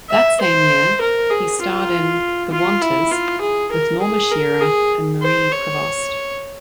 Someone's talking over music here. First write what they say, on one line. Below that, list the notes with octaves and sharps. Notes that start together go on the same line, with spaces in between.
That same year he starred in "The Wanters" with Norma Shearer and Marie Prevost.
E5
C5
A#4
G#4
F4
F4
E4
F4
G#4
A#4
G#4
A#4
G#4
C5
C#5